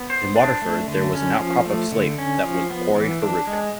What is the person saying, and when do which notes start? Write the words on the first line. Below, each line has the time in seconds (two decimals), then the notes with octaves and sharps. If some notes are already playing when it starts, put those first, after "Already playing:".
In Waterford there was an outcrop of slate that was quarried for roofing.
Already playing: B3
0.10 C5
0.36 D4
0.62 A3
0.88 D3
1.15 C#4
1.40 F3
1.66 A3
1.92 D3
2.18 C#4
2.44 F3
2.70 B3
2.95 E3
3.22 D4
3.47 G#3